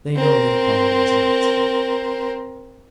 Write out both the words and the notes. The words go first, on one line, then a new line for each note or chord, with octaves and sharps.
They know that equality is impossible.
C4 A#4